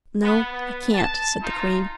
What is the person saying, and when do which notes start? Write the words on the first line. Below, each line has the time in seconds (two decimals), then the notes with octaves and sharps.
"No, I can't," said the queen.
0.23 B3
0.52 B3
0.93 A5
1.41 D#4 F4